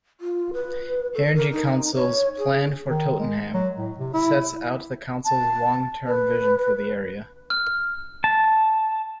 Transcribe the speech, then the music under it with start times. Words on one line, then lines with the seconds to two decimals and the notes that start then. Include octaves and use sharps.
Haringey Council's 'Plan for Tottenham' sets out the Council's long-term vision for the area.
0.21 F4
0.54 B4
1.14 A4
1.35 A#4
1.52 D#4
1.95 C#5
2.38 G#4
2.89 D#3
3.19 G#3
3.54 F#3
3.77 A2
3.98 C3
4.14 E4
5.25 A5
6.07 B4
7.50 F6
8.24 A5